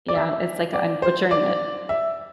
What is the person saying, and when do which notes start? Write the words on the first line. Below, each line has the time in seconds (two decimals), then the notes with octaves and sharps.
Yeah, w it's like I'm butchering it,
0.08 D5
0.15 E5
0.73 D5
1.02 C5
1.31 D5
1.89 E5